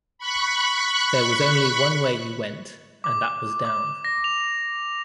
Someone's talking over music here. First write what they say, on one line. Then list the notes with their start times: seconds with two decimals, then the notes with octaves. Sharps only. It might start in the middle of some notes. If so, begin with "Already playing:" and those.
There was only one way you went and that was down.
0.18 B5 C#6 F#6
3.04 D6
3.65 D6
4.05 A#6
4.24 F7